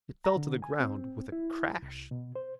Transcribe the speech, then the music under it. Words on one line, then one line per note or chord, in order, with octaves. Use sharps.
It fell to the ground with a crash.
A#5
D3
G#5
C4
E4
C2
B2
C5